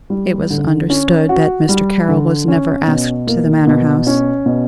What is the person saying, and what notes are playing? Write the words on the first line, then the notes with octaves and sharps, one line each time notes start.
It was understood that Mr. Carroll was never asked to the Manor-house.
G3
D3
C#4
F#4
G3
D3
C#4
B2
A#3
B2
C#4
B2